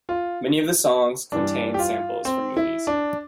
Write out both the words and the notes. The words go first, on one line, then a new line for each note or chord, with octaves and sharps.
Many of the songs contain samples from movies.
F4
G2 E3 G3 D4
G4
F4
C4
E4
D4